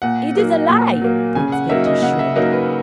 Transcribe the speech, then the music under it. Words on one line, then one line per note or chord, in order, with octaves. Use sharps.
"It is a lie!" Prince Victor shrilled.
A#2 F#5
F#3 A#3
A#2
F#3 A#3
C#3 G#5
F#5
F#3 A#3 D#4 E5
D#5
C#3 F#5
E5
F#3 A#3 D#4 D#5
B4